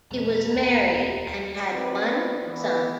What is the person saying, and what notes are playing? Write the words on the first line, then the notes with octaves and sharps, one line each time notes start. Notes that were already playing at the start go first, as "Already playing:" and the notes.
He was married and had one son.
F2 B2 G#3 A5 A#5
E1 D2
D#3 F#3 C4 B4 D5
E3 B3 B4